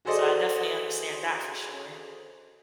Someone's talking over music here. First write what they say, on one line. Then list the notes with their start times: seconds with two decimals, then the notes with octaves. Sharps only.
so I definitely understand that for sure.
0.05 F#4 G#4 A4 C5 D5 D#5